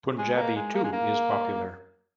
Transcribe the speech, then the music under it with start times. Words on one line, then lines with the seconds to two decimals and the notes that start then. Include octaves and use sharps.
Punjabi, too is popular.
0.18 G#3
0.36 A#3
0.56 G#3
0.74 A#3
0.84 G#3
0.93 A#3